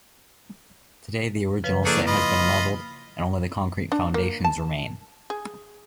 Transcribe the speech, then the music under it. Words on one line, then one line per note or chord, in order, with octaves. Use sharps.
Today the original site has been leveled, and only the concrete foundations remain.
C#3 F3 B4
A3 A#3 D4 E4 G#4
F4 D#5 B5
D4
A#3
A5
G#4